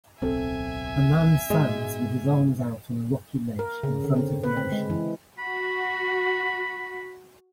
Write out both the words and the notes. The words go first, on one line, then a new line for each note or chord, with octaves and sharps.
A man sands with his arms out on a rocky ledge in front of the ocean.
D1 B1 C4 A4 E5 G#5
G#2 B2 G#3
A#4
C#3
D3
C4
B4
C4
G#3
E3
F#4 B5